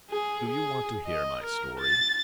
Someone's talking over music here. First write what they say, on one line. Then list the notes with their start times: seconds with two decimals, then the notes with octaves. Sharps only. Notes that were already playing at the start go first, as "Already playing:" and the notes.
"Do you want to hear my story?"
0.10 G#4
0.49 G#4
1.06 D#5
1.44 A#4
1.80 A6